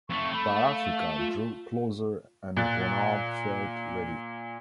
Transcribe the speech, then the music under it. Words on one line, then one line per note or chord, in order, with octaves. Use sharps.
But Africa drew closer and Bonard felt ready.
F2 A3 C#6
A3 B5
F5
F4
A#2 F#6 A6